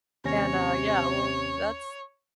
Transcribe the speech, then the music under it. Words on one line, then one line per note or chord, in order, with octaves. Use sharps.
and, uh, yeah. Well, that's
D#2 C3 C#4 C#5 A#6